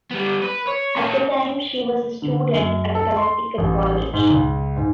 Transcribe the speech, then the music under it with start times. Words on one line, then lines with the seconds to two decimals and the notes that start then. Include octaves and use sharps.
At the time, she was a student at Connecticut College.
0.11 G3 B3
0.42 B4
0.67 C#5
0.96 C#4 A4
2.22 D3
2.54 F#2
2.95 A4
3.17 C6
3.58 A1
4.13 G#2
4.30 C#2
4.76 G#2